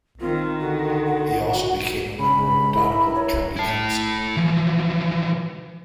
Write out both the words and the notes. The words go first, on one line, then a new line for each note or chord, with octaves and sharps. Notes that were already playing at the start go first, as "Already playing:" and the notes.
He also became a member of Donegal County Council.
D#3 C4 F4
D3 F#4
F#5
F#4
C#3 G#3 B5
E4 A#4
C#5
E4 A5
E3 F3